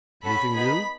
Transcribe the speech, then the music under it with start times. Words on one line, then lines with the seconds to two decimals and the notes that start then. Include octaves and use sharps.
"Anything new?"
0.23 C#4 F#4 A4 B5
0.54 B3 D#4 G#4 B5